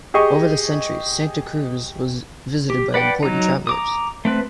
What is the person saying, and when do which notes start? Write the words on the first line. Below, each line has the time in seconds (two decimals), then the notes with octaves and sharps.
Over the centuries Santa Cruz was visited by important travellers.
0.14 G4 G#4 D#5 C#6
2.70 G4
2.94 B4 D5 F#5 G5 B5
3.23 F#3 D#4
3.67 A#5 D6 D#6
4.25 A3 C4 B4